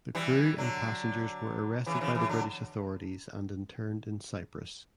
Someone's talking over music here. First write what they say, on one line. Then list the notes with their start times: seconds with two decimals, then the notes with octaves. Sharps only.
The crew and passengers were arrested by the British authorities and interned in Cyprus.
0.15 E3 G3
0.58 D3 F#3
1.86 C#3 E3
1.95 F#3
2.01 C#3 E3
2.15 C#3 E3
2.29 D3 F#3